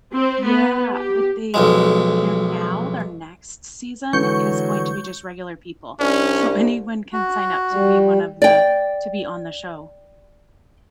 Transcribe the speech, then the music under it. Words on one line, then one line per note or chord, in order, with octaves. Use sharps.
yeah, but they've but they're now their next season is going to be just regular people, so anyone can sign up to be one of the to be on the show.
C4
B3
G4
B1 F2 G#3
D3 E3 F#3 G#3 C#6 G6
C2 C#4 D4
F#4
G3
D5 G5